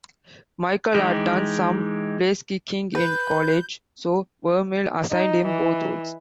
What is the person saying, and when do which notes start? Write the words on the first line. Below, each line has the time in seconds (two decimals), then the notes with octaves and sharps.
Michel had done some placekicking in college, so Vermeil assigned him both roles.
0.94 E3 G#3 D#4 G4
2.95 B4 G6
5.12 D#4
5.47 E3